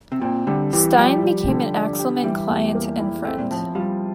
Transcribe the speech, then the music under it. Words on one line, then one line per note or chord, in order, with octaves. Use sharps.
Stein became an Axelman client and friend.
C3
A#2 C4
D3 G3
E3 G4
F3 G3
G3
D3
D4
G4
E3 G3
E2
A#3
E4
A3 C4
A#2
A2 F3
G3 F4